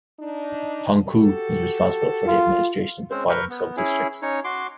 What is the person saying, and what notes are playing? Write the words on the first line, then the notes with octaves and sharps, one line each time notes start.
Hongkou is responsible for the administration of the following subdistricts.
D4 D#4
F#4 G4 A4
F4
G#3 C4 C#4 C5
A#4 B4 C#6 G6
B3
C#4 E4 G#4
C#4 D#4 C#5
F#4 C6 D6